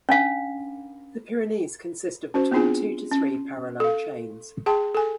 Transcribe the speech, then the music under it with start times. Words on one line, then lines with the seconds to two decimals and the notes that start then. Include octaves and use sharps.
The Pyrenees consist of between two to three parallel chains.
0.09 C#4 D4 F5
2.34 C#4 F#4 C5
2.52 B3 C4 D4 F4 G#4 G#5
3.11 C#4
3.80 A4 F5
4.66 G#4 G5 A5 C6
4.95 A4 G#5